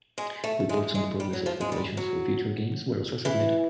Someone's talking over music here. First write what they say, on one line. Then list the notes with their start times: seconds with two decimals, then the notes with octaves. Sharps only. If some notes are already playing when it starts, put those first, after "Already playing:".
Reports on the progress of preparations for future Games were also submitted.
0.18 G#3
0.44 A3
0.69 G#3
0.95 G#3
1.20 G3
1.33 F#3
1.46 F3
1.61 G#3
1.72 G3
1.97 F#3
3.25 E3